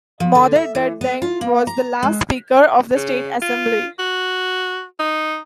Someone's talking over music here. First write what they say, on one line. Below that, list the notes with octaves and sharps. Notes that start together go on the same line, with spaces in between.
Madot Dut Deng was the last Speaker of the State Assembly.
F3
D3
E5
E3
B3
F4
A#3
A#5
G#3
C#3
F4
F#4
D#4